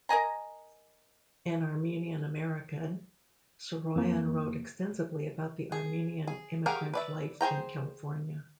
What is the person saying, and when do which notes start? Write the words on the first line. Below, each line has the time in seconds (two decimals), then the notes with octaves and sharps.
An Armenian American, Saroyan wrote extensively about the Armenian immigrant life in California.
0.09 A#4 D#5 G#5 A#5
3.96 F2 A#3
5.72 G#4
6.27 G#4
6.66 G4 G#4 A#4 F5 F#5
6.94 B4 D5 E5
7.41 G#4 C5 G5 A#5